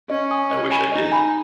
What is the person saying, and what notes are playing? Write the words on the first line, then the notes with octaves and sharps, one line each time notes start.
I wish I did.
C#4 D#5
G#5 D#6
D#5
G#5 B5
D#4 D#5
G#5 B5